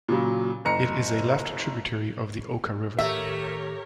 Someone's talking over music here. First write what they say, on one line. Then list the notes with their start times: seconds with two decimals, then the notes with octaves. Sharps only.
It is a left tributary of the Oka River.
0.08 A#2 C#3 F#3
0.65 F#1 A#5 C#7
2.99 A2 D#3 A3 G4 A#4 C#5 E5